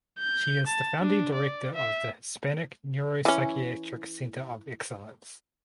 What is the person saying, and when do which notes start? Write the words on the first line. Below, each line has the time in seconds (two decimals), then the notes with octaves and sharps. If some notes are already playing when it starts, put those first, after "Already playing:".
She is the founding director of the Hispanic Neuropsychiatric Center of Excellence.
0.19 G6
0.67 A5
1.02 D4
1.34 D5
1.75 E5
3.25 E3 C#4